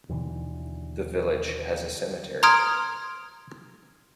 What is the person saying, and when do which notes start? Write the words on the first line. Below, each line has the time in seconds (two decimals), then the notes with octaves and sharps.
The village has a cemetery.
0.09 D#2 B2 D3 E3
2.43 A#5 C6 D#6 F6 G#6 D7